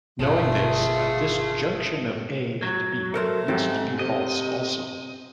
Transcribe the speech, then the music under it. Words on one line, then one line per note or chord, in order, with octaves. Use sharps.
Knowing this, a disjunction of A and B must be false also.
G1 B2 A3 F4 G#4
F#3
A3 A4 A#4 C5
G#2 C4 G4
C3 D#5